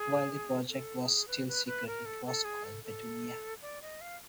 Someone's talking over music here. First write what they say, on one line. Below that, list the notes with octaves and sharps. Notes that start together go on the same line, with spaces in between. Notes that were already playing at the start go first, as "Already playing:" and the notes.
While the project was still secret, it was called "Petunia".
Already playing: G#4
A4
A4
G#4
B4
B4
B4
A#4
A4
A4
G#4
A4
A4
D5
D#5
F5